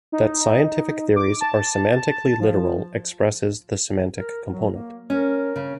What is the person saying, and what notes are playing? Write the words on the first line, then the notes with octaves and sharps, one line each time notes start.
That scientific theories are semantically literal expresses the semantic component.
D#4
D6
A5
F3
A#4
F#3
A#3
C#4 A#4
C#3